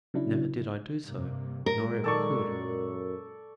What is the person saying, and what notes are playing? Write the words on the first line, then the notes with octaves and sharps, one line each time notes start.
Never did I do so, nor ever could.
C#3 F#3 D4 E4
G2 C3 A#3
A#2 F#3 G#3 A#4
D#3 A4 D5 C#6
F#2